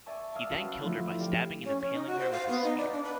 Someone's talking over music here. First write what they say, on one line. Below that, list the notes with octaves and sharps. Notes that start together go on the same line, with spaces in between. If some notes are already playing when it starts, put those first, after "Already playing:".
Then he killed her by stabbing and impaling her with his spear.
D5 E5 G#5 A5 C#6
D5 F5 G#5 A5 D#6 E6
C#4 F#4 B4 F5 G5 G#5
E6 A6
F3 A3 D4 E4
G4 D5 F5 G5
C#4
C#4
D#4
F#4
C5
F5
B3
D#4
D5
D4
B4